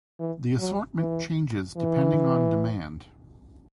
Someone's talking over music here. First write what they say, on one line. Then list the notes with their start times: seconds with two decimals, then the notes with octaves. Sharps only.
The assortment changes depending on demand.
0.20 E3
0.59 F#3
0.98 E3
1.77 E3